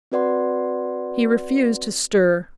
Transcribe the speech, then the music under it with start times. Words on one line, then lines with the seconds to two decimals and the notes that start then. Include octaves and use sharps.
He refused to stir.
0.12 C4 F#4 B4 D5 F#5 C6